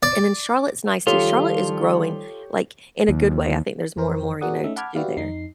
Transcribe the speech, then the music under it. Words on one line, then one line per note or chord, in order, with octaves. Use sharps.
and then Charlotte's nice too. Charlotte is growing, like, in a good way, I think there's more, and more, you know, to do there.
D5
D#3 F3 G3 F4 G4 A4 C#5
D#2
F2 E3 A#4 C5
F#4 G#4 A#4 D5 F#5 D#6
A3 C#4 D#4 E5
F#5 A5 B5 D6 F6 G#6
F#4 G4 B4 D5 E5 F5
F2 D#4 C7